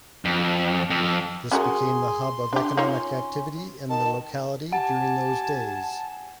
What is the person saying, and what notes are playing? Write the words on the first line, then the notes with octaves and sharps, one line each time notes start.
This became the hub of economic activity in the locality during those days.
F2
F2
C#4 F#4 G#4 A#4 C6
D4 G4
C#4 D#4 F4 C#5
D#3 A5
G4 F#5 G#5 A5